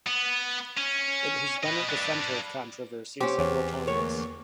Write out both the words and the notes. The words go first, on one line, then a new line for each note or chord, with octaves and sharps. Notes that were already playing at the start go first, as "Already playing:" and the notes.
It has been at the center of controversy several times.
B3
C#4
B4 D#5
D4 B4
C4 C#4 G4
E2
D2 A#3 C#5